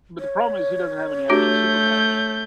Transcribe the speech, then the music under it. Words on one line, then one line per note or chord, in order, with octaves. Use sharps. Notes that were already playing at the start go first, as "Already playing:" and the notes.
But the problem is he doesn't have any actual superpowers.
C#5
A3 D4 F#4 G4 G6